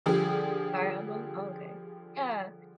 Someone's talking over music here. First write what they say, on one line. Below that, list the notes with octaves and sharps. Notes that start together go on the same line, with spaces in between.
Fire Emblem, oh okay. Yeah,
D3 F3 G3 G4 G#4